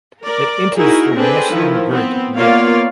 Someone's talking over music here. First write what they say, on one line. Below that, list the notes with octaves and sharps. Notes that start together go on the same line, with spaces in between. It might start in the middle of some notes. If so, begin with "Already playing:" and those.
It enters the national grid there.
A#4 D5
D#4 E4 F#4 G#4 A#4
C4 D4 G#4 A4 B4
D#3 F3 E4
B3 C4
A#3 B3 F4 C#5 D5 F5